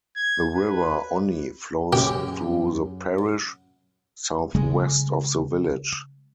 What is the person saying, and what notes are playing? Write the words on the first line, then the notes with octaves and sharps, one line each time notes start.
The River Onny flows through the parish, southwest of the village.
G#6
B4
F#2 C#4 G4 G#4
C#3 G3 G#3